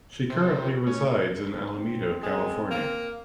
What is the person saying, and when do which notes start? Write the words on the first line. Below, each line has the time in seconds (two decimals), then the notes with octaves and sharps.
She currently resides in Alameda, California.
0.30 C3
0.42 G4
0.63 F4
0.87 A3 C#4
1.71 C4
2.23 G#3
2.71 A#3